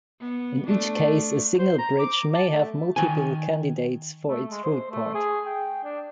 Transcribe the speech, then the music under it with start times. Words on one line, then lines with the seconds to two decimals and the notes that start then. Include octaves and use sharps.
In each case, a single bridge may have multiple candidates for its root port.
0.20 B3
0.66 A3 D4
1.59 C5
1.79 A#5
1.99 D6
2.35 A5
2.51 A3
2.96 D#3 G#5
4.28 A3
4.51 G#3
4.64 C5
4.91 A3
5.15 G#4
5.46 G5
5.84 D4